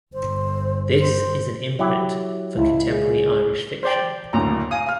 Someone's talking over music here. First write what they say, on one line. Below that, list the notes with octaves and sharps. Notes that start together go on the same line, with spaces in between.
This is an imprint for contemporary Irish fiction.
G1 C5
C5
F#3 E4 G4
C#2 E4
G#4
C5 D5 G5
F#1 D2 A2 A#5
F5 G#5 D#6
F5 F6